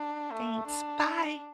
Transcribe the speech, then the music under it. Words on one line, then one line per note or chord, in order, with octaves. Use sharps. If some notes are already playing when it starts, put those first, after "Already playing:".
Thanks, bye.
Already playing: D4
A3
D4